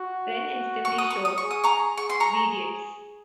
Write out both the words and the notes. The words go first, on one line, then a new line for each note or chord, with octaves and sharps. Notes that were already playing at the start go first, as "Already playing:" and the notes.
Ren and Stimpy Show: Veediots!
Already playing: F#4
C#6
D#6
C#6
D#6
G#4 C#6
D#6
A#5 C#6
G#4 C#6
C6
A#5 C#6